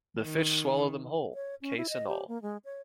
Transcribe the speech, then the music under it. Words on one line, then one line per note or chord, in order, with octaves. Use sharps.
The fish swallow them whole, case and all.
D#3
C#5
C#4
E4
D#5
G4
A#3
G#3
C#5